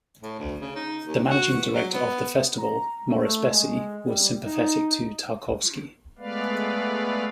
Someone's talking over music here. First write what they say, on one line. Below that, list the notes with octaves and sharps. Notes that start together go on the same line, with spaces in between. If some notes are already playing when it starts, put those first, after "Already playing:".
The managing director of the festival, Maurice Bessy, was sympathetic to Tarkovsky.
A2
D2
C#3
D#4
D#2
F#4
E2
F#3
B3
A#5
A3
G#3
G3
D#4
G#3 A3 B3 B4 D5 F5